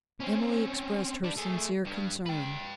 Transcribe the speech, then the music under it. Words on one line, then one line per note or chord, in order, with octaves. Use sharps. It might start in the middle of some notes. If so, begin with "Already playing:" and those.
Emily expressed her sincere concern.
C4 C#4
G3 D4
A3 G#4
G2 G3
B4 G5